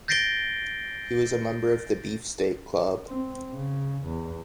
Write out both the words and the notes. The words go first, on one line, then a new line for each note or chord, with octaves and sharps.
He was a member of the Beefsteak Club.
G6 A6 A#6 C7 D7 G7
C4
C#3
E2